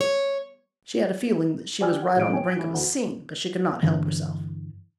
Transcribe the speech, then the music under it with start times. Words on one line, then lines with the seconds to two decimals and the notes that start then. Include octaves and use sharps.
She had a feeling that she was right on the brink of a "scene," but she could not help herself.
0.01 C#5
1.81 G4 D5 G#5 E6 F6
2.02 F#5
2.16 A1 G#3 D7
2.33 C#5 G5 G#5
2.59 E3
2.74 D2
3.83 G2 D3 E3